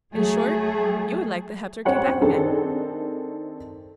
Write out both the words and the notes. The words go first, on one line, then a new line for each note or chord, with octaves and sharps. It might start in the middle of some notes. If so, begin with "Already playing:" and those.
'In short, you would like the Heptarchy back again.
F#3 A3 G#4
C4 C5 C#5 F#5 G5
C4 G5
D#3 C4 D4 G#4 A4